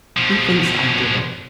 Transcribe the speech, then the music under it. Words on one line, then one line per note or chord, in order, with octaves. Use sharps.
He thinks I did it.
B2 F3